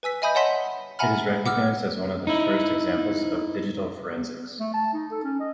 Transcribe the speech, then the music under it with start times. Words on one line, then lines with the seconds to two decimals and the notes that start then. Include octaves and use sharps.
It is recognized as one of the first examples of digital forensics.
0.03 B4 G#5 E6 B6
0.22 D#5 E5 G#5 B5 D#6 G6
0.35 C#5 D#5 F#5 A5 C6 B6
0.99 E5 F#5 G#5 A#5 B5 F6
1.46 F#5 D6 E6 F6
2.27 D#4 E4
4.59 A3
4.73 A5
4.93 D#4
5.11 A4
5.23 C#4
5.40 D#5